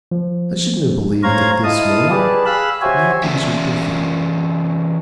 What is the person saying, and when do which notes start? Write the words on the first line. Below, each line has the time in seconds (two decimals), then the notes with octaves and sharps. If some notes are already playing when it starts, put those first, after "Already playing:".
I shouldn't have believed that this morning; but now things are different.
0.12 F3
1.23 A2 C5 C#5 F5 A#5 G#6
1.64 E4 F4 D#5 F5 A5 D#6
2.10 G4 G#4 B4 D5 A5
2.46 G#4 F5 B5 E6 F#6
2.82 F#4 G4 C5 C#5 E5 G#5
3.24 E3 C#4 F4 D5 E5